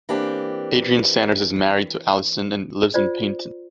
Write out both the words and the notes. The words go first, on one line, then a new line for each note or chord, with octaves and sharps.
Adrian Sanders is married to Alison and lives in Paignton.
E3 A#3 C4 D4 G4
F4 C5 D5